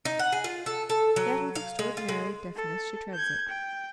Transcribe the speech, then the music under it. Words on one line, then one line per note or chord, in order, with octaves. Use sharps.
Yet with extraordinary deftness she treads it.
D#4
F#5
G#4
F4
A4
A4
F#3
F5
G#3
F4
G#3
A4
G6 G#6
G5